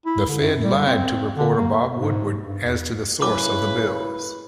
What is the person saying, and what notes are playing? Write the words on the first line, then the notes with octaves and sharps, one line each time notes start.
The Fed lied to reporter Bob Woodward as to the source of the bills.
E4
D3
F#2
G3
C4
D3
A#3
G#2
G2
E2
C#3 E4 B4 D6